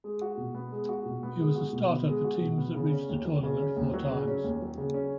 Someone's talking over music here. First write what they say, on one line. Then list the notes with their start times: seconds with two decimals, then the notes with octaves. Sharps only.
He was a starter for teams that reached the tournament four times.
0.04 G#3
0.22 F#4
0.37 B2
0.55 B3
0.72 G#3
0.89 F#4
1.06 B2
1.23 B3
1.39 G#3
1.56 F#4
1.73 B2
1.90 B3
2.07 G#3
2.24 F#4
2.41 B2
2.58 B3
2.75 C#3
2.92 C#4
3.09 D#2
3.25 F#3
3.43 C#3
3.60 C#4
3.76 D#2
3.94 F#3
4.11 C#3
4.28 C#4
4.44 D#2
4.62 F#3
4.78 C#3
4.94 C#4